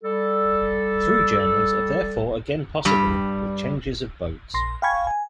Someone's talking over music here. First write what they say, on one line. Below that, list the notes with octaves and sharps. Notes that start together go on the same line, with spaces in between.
Through journeys are therefore again possible, with changes of boats.
G3 A4
G2 G3
A#1 C6 A#6
F5 G5 G#5 B5 C#6 G#6
G#5